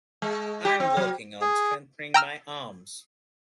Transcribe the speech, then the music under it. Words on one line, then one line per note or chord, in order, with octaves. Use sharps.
I'm working on strengthening my arms.
G#3
G4
C4
F#3
G#4
G5 A#5 E6 F6